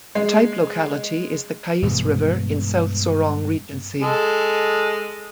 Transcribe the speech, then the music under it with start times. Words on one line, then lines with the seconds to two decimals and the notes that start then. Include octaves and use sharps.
The type locality is the Kais River in South Sorong Regency.
0.15 G#3
1.82 G2 B2 E3 G#3
4.01 G#3 A4